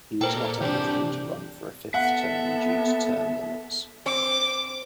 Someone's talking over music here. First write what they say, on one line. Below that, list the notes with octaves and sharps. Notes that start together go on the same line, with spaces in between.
He was not eligible to run for a fifth term due to term limits.
A#2 A4 A#4 C5 G5
C3 E3 D4 G4
B3 A4 E5 F#5
C4 D6